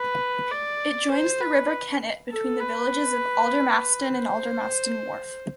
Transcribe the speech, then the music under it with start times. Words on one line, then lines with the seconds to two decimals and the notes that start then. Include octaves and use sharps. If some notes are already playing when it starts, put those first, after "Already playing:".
It joins the River Kennet between the villages of Aldermaston and Aldermaston Wharf.
Already playing: B4
0.51 D5
1.12 C5
1.41 B4
2.31 A4
2.60 B4
4.09 C5